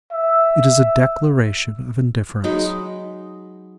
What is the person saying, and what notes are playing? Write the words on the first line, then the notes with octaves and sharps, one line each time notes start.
It is a declaration of indifference.
E5
F#3 G#3 D#4 B5